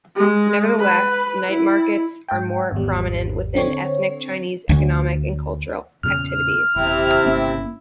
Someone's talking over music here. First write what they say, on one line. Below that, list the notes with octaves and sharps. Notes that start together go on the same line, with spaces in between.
Nevertheless, night markets are more prominent within ethnic Chinese economic and cultural activities.
G#3
B4
E4
G#2 G5
G#1 E2 G3
D3 C4 C#5
D2
E2 A#2 C#3 F6
D#1 C3 C4 E4
G1 A#3 C#4